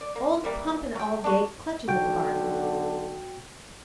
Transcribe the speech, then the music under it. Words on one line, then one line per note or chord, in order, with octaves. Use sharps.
Old Pump and Aldgate clutches at the bargain.
D5
A#3
E3 G3 A#3
F#3 G5
D4 F#4
B1 D3 F#4 G5